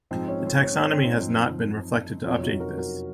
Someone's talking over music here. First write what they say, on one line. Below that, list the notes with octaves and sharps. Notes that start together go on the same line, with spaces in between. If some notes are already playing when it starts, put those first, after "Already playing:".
The taxonomy has not been reflected to update this.
G#2 F3 C4 D#4
C#4
C4
C#4
C#4
C4
C4 D#4
F#2 F3
F2 C3 F#3 C#4 F4
D#4 F#4
F#4 A#4
F#4 A#4